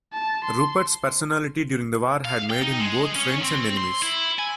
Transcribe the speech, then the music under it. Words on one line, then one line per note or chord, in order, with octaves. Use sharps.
Rupert's personality during the war had made him both friends and enemies.
A5
C6
F5
G5
D#4
G#3
C#4
C4
C6
E4
G#5